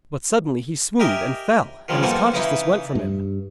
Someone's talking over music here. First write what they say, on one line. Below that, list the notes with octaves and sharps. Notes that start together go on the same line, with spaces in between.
But suddenly he swooned and fell and his consciousness went from him.
G4 A#4 D#5 E5 G#5
D#3 F3 G3 G#3
B1 A#3 C4 F#4 A4 G#5
C#3 E3 D#4 E4
G2